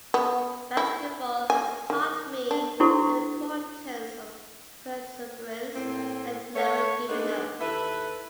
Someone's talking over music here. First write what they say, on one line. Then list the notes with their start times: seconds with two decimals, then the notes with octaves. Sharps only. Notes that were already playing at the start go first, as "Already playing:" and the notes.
Basketball has taught me the importance of perseverance and never giving up.
0.14 B3
0.77 E4
1.50 G#5
1.90 D#3
2.51 D4
2.80 D4 E4 F#4 A4 C5 C#6
5.75 A2 A#3 C4
6.55 A3 C#5
7.09 G#3 A#3 B3 D4 D#4
7.61 D#2 E4 A4 B4